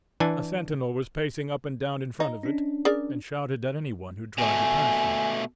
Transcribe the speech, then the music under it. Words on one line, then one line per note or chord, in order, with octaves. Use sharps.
A sentinel was pacing up and down in front of it, and shouted at any one who tried to pass him.
E3 D4 G#5
D#4
C#4 D4
G#4 A#4 D5
B2 A3 G#5